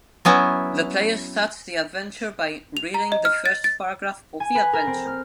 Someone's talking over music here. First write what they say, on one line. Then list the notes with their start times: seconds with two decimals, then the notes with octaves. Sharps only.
The player starts the adventure by reading the first paragraph of the adventure.
0.25 F#3 B3 C#4 E4
2.77 F7
2.94 A#5
3.12 D#5
3.25 F6
3.46 A6
3.64 A6
4.40 G#5
4.55 B4
4.73 A#4
4.87 C4
5.07 F6